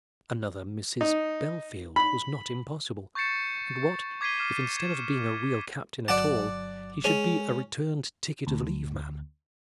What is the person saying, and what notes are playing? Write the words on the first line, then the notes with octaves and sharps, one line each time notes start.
Another Mrs. Bellfield was not impossible; and what, if instead of being a real captain at all, he should be a returned ticket-of-leave man!
D#4
B5
C#6 G6 A6 C7 C#7 E7
D6 G#6 B6 C7 D#7 G7
D6 F6 C7 E7
G#6 E7
G1 F#3 D5 F#5 A5 D6
G#3 C#4 G#4
D2